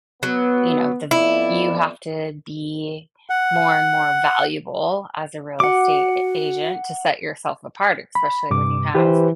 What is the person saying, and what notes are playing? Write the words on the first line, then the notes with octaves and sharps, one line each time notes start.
you know, the you have to be more and more valuable as a real estate a agent to set yourself apart, especially when you have
F#3 B3
F2 B3 E4 D5
F#5
F#4 F#5 D6
B5
G2 C3 D6
E3 G4 B4 C5